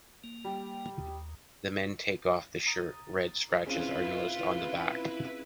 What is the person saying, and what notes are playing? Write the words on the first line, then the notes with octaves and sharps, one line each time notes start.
The men take off the shirt, red scratches are noticed on the back.
A#3
G3
D#2
A#5 D#6 A6
C4 C#4 E4 F4 G#4 B4